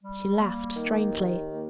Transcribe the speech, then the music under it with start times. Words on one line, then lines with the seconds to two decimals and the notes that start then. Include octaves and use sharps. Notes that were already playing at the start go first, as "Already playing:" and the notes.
She laughed strangely.
0.03 G3
0.38 A#3
0.75 D#3
1.11 D#2
1.48 A#3